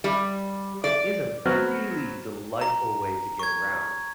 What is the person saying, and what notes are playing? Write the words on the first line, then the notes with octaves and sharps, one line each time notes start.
it is a really delightful way to get around
G3
D5
F#3 B3 C4 F#4 B5 F6
A#5
C#6 G#6